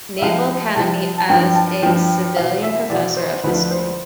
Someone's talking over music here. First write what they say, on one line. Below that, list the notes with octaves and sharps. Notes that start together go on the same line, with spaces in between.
Naval Academy as a civilian professor of history.
E5
C2 C3 F3 F5
C2 C3 F3 A5
A5
G2 F3 G5
A5
G2 F3 G5
E2 B2 F5
E5
E2 B2 D5
C5
D2 D3 F3 B4
C5